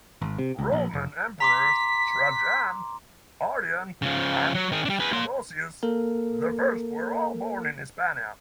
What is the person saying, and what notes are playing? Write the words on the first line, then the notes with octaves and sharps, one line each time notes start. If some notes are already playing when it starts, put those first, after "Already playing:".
Roman emperors Trajan, Hadrian, and Theodosius the First were all born in Hispania.
G#1
C3
C#2
A#1
F1
A#5 C6 D6 B6
C#3 F3
F#3
D#3 G#4
G3 D4
G#4 B4
A#3 C6
A#3 A4 A#4